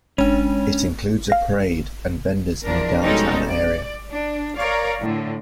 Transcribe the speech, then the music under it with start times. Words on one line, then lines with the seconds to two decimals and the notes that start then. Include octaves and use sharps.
It includes a parade and vendors in the downtown area.
0.18 G#3 C#4 D4
1.30 F5 A#6
2.63 E2 F3 D4 A#4
3.02 B2 G3 G#3 C#4 D#4 A4
3.48 D5
4.11 D4
4.56 A#4 C#5 D5 F5
5.00 A2 D3